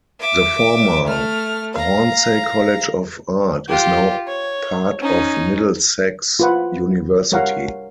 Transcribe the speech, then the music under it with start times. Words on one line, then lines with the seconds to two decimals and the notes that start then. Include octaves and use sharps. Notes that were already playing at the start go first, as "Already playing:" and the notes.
The former Hornsey College of Art is now part of Middlesex University.
0.20 E5 D6
1.06 A3 F6
1.74 F5 A#5
3.68 F4 G4
4.27 C#5
5.00 C#4 D#4
6.40 F4 B4 F#5
7.32 G3 A#4 C#5 F5 F#5 A#5